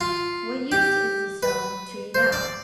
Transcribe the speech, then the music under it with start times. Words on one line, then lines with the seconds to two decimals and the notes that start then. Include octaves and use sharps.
What use is the stone to you now?
0.01 F4
0.72 G4
1.43 B4
2.15 C5
2.32 D5